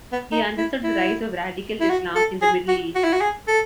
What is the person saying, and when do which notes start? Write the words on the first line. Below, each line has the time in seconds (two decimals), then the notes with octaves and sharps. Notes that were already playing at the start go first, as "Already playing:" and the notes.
He understood the rise of radical Islam in the Middle East.
0.12 B3
0.32 D#4
0.58 E4
0.84 E4
1.81 E4
1.90 F#4
2.16 A4
2.42 G#4
2.68 F#4
2.95 F#4
3.04 E4
3.13 F#4
3.21 G#4
3.48 A4